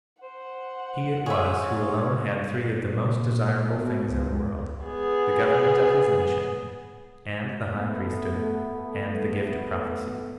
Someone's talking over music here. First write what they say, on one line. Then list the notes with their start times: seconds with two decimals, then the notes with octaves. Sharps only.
He it was who alone had three of the most desirable things in the world,--the government of his nation, and the high priesthood, and the gift of prophecy.
0.23 C5 F#5
1.26 F4 G#4 C#5 E5
2.78 A#2
3.71 B2
4.09 C#2
4.84 B3 G#4
7.73 A3 B3